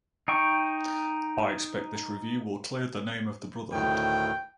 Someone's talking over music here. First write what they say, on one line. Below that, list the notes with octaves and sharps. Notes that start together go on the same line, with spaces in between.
I expect this review will clear the name of the Brotherhood.
D#4 G5 C#6
D2 A2 D#3 G5